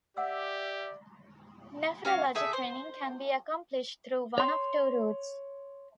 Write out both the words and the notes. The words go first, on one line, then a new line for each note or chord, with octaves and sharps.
Nephrology training can be accomplished through one of two routes.
G4 D5 E5 F#5 E6
C#4 F#4 F5
A3 G#4 E5
C5
C#5 C6